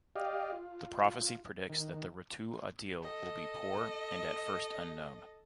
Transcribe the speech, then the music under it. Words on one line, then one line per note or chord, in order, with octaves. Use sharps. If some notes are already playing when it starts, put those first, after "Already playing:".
The prophecy predicts that the Ratu Adil will be poor and at first unknown.
G4 D5 D#5 F5
F4
D#3
A4 D#5